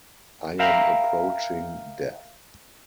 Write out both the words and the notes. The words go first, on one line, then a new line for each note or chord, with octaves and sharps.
I am approaching death.
A#4 E5 F5 G5 A#5 B5